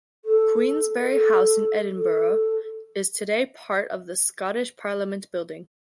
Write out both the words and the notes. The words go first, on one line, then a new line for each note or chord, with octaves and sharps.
Queensberry House in Edinburgh is today part of the Scottish Parliament Building.
A4
A#4
A4
A4